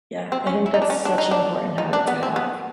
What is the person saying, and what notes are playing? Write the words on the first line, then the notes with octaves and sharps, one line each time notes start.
Yeah, I think that's such an important habit to have.
C4
C#4
E4
D#4
D4
C#4
D4
D#4
D4
D#4
D4
B3
C4
B3